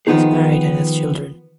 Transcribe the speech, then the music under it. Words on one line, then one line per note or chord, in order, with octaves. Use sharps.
He is married and has children.
D#3 F3 B3 C4 D#4 G#4